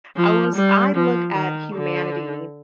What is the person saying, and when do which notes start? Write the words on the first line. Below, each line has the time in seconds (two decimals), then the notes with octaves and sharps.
I was I look at humanity
0.16 F3
0.56 G3
0.96 F3
1.35 D#3
1.75 D3